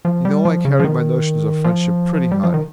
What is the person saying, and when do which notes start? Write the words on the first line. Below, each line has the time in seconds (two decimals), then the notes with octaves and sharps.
You know I carry my notions of friendship pretty high.
0.05 F3
0.25 G3
0.45 F3
0.65 C#3
0.80 F3
0.84 D#3
1.64 F3
2.32 G3
2.43 F3
2.54 D#3